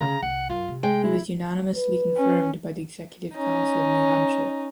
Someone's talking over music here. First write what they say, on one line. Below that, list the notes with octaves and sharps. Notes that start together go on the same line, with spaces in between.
He was unanimously confirmed by the Executive Council of New Hampshire.
C#3 A#5
C2 F#5
F#2 F4
C3
G#3 G5
E4
B4
C#4
C#4 D#4